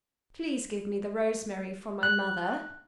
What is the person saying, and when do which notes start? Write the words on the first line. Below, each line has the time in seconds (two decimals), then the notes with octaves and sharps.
"Please give me the rosemary for my mother."
2.03 F#6